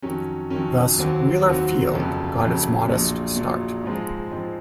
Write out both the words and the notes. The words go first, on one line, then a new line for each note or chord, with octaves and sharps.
Thus Wheeler Field got its modest start.
F2 D#3 F#3 C#4
F2 D#3 F#3 C#4
D#2 D#3 F#3 C4 F#4
D#2 D#3 F#3 C4 F#4
F1 F2 C#3 F#3
F1 F2 C#3 F#3
A#1 A#2 F#3
A#1 A#2 F#3
G#2 F3 G#3 C4
G#2 F3 G#3 C4